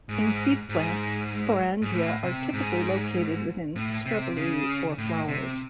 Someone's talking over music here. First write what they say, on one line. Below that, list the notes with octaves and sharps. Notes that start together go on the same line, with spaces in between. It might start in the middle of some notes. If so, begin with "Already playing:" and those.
In seed plants, sporangia are typically located within strobili or flowers.
G#2
G#2
G#2
A2
C3
G#2
A2
C3
C#3
A2
C3